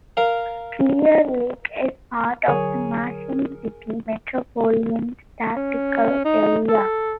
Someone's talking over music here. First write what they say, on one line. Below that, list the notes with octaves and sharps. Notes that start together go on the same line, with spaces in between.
Clear Lake is part of the Mason City Micropolitan Statistical Area.
A#4 F5
D3 F#3 G#4 A#4 C#5
C#4
D#4
A4